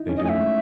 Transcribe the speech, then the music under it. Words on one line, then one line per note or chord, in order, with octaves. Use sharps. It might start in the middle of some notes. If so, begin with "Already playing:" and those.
They do.
Already playing: D#4 E4
C#4
D#5
A3 E5 G#5
G#3